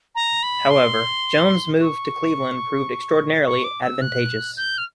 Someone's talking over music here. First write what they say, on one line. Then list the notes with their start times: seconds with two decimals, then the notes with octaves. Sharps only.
However, Jones's move to Cleveland proved extraordinarily advantageous.
0.15 A#5
0.43 B5
0.70 C6
1.81 C#6
3.46 C#6
3.64 D6
3.83 E6
4.01 F#6
4.57 G6
4.78 F6